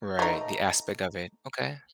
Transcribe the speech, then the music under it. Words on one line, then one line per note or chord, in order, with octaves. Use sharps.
Right, the aspect of it. Okay.
A3 D#4